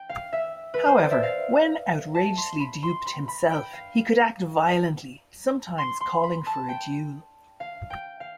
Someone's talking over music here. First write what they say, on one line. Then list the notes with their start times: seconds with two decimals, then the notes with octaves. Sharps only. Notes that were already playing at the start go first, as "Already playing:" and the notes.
However, when outrageously duped himself, he could act violently, sometimes calling for a duel.
Already playing: G5
0.09 F5
0.33 E5
0.74 B4
0.86 C5
0.99 D5
1.11 E5
1.23 F5
2.15 A5
2.37 C6
2.60 B5
2.83 C6
3.06 B5
3.28 B5
3.50 G5
3.73 F5
5.78 C6
6.01 C6
6.24 B5
6.47 A5
6.69 G5
7.60 F5
7.90 G5
8.20 F5